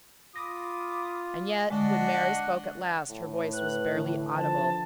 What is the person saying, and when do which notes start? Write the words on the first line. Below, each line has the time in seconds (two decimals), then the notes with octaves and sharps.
And yet, when Mary spoke at last, her voice was barely audible.
0.36 F4 B5 D6 D#6 A#6
1.71 D3 G#3 D4 F#4 D#5 F#5
3.10 A2
3.53 B4 F#6
3.92 D3 E3
4.35 F3 A5